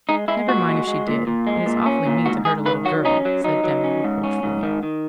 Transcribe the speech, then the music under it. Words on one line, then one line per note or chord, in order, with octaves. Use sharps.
"Never mind if she did; it is awfully mean to hurt a little girl," said Demi, reproachfully.
G#3 D#4
G#3 E4
A#2 F#4
G#3
G#3
A#2
A#2
G#3
A#2
C#4
A#2
G#2 F#4
G#2 G#4
D#3 B4
F#3 F#4
C#4 D#4
F#3
F#3 D#4
F#3
C#4
G#2
C#4
G#2
D#3
D#3